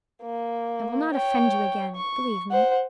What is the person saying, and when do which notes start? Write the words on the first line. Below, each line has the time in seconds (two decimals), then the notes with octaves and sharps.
I will not offend you again, believe me.
0.22 A#3
1.13 C#5 G5
1.95 C#6
2.51 C5 F#5